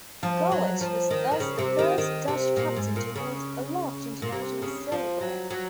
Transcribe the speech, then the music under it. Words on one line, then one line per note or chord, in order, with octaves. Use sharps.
Gullit was thus the first Dutch captain to hold aloft international silverware.
F3
F#3
F3
D#3
D#3
C#3
C3
D#3
D#3
C3
A#2
G#2
A#2
C#3
A#2
C3
C#3
F3
F#3
F#3